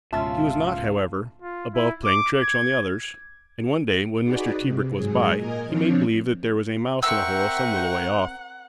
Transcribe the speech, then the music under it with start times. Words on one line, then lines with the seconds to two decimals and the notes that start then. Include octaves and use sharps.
He was not, however, above playing tricks on the others, and one day when Mr. Tebrick was by, he made believe that there was a mouse in a hole some little way off.
0.13 C#2 G#2 B2 C#4 F4 E5 A5
1.42 F4
1.74 E4
2.05 D6
2.42 G#6
4.24 D#4 F#4 G#4 B4 D5
4.60 C3
4.94 G#2 F#3 G#4
5.35 A#2 A#4 D#5 G#5
5.65 F3 C4 D4 C#5
7.03 C4 A#4 E5 F#5 G5 C#6 E6